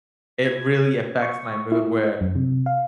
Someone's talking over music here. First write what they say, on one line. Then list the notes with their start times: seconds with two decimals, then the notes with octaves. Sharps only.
it really affects my mood where
0.46 G#6
1.22 C#6
1.72 E4
2.21 F#2
2.36 C3
2.66 F5